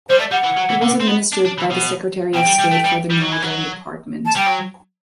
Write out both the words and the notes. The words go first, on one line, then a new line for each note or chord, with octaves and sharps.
It was administered by the Secretary of State for the Northern Department.
G3 C5
A3 D5
G3 F#5
E3
F#3
E3
D3
C4
B3
D4
D4
E3
B2
B2 G5
G3
G3
A3
G3
G3
F#3
E3
F#3
A5
G3 G5
F#3